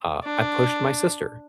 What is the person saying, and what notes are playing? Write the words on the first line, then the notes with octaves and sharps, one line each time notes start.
uh, I pushed my sister,
D4